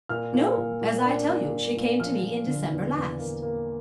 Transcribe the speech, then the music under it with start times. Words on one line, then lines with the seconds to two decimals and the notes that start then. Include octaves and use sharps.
"No; as I tell you, she came to me in December last."
0.09 A#2 F6
0.34 A#2
0.58 A#2
0.81 A#2
1.05 D4
1.29 A#2
1.53 D4
1.76 A#2
2.00 F3 F6
2.23 F3
2.47 D3
2.71 E2
2.96 E2
3.19 A#3
3.42 A#3